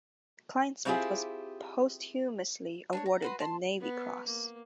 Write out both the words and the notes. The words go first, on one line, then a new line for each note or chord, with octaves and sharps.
Kleinsmith was posthumously awarded the Navy Cross.
B2 C4 E4 F4 G4 G#4
D4 C5 C#5
A#5
F#4 B4 C6
A5 C6
B3
A#3